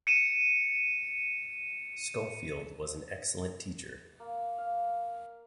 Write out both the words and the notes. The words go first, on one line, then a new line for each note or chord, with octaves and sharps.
Scholefield was an excellent teacher.
C#7 D#7 E7
A#3
F5